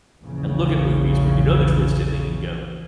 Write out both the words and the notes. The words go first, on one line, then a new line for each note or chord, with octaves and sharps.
and look at movies where you know the twist ending and go
A#1 E2 C#3